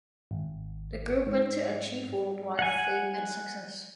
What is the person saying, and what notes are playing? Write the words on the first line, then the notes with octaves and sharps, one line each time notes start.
The group went to achieve world wide fame and success.
G#1
G#2
F#5 G#5